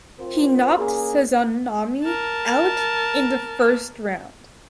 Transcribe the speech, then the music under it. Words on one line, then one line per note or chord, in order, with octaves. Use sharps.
He knocked Sazanami out in the first round.
C4 F4 A#4 C5
A#3 C#4 G#4
A#4 A5